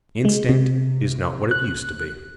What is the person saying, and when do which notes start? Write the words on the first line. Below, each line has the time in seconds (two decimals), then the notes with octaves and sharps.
Instinct is not what it used to be.
0.25 G#3
0.49 C3
1.51 F#6